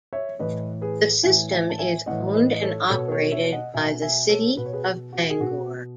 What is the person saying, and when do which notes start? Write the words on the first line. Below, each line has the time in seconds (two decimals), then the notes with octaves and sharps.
The system is owned and operated by the City of Bangor.
0.13 C#5 E5
0.39 A2 E3 B4 D#5
0.81 G#4 B4
1.23 A2 E3 E5 G#5
1.51 E5 G#5
1.70 A5
1.79 E5 G#5
2.06 A2 E3 D#5 F#5
2.35 B4 D#5
2.52 D#5
2.62 A4 C#5
2.90 B2 A4 C#5
3.11 A4 C#5
3.32 C#5 E5
3.52 D#5 F#5
3.74 B2 E5 G#5
4.02 E5 G#5
4.29 A4 C#5
4.57 B2 B4
4.66 C#5
4.73 G#4 B4
5.13 F#4
5.30 G#4
5.40 B2 F#4